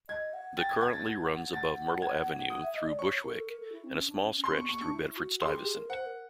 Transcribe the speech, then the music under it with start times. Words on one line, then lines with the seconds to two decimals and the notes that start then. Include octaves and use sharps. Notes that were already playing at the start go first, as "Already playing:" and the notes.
The currently runs above Myrtle Avenue through Bushwick and a small stretch through Bedford-Stuyvesant.
0.09 D#5 G#6
0.33 F#5
0.57 G5 A6
0.69 G#6
0.81 F#5 G#6
0.93 A6
1.06 G#6
1.22 F#5
1.38 F#5
1.53 F#5 A6
2.02 G#6
2.50 F#5 D#6
2.63 E5
2.75 D#5
2.87 D5
2.99 C#5 C#6
3.23 A#4
3.36 A4
3.48 A#4
3.60 A4
3.72 E4
3.84 C4
3.96 C#4
4.08 D4
4.20 C#4
4.32 C#4
4.44 C#4 C6
4.56 B3 C#6
4.68 A#3 C#6
4.81 D4 C#6
4.93 E4
5.17 F#4
5.41 G4 C6
5.47 G#4
5.53 G4
5.65 G#4
5.77 A#4
5.89 C5 F#5
6.06 A#4